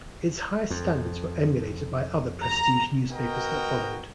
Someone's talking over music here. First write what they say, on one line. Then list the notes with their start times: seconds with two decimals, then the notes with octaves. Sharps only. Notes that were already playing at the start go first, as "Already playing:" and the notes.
Its high standards were emulated by other prestige newspapers that followed.
0.70 F2
2.44 A#5
3.11 B3 F#4 A#4 D#5 G5 A#5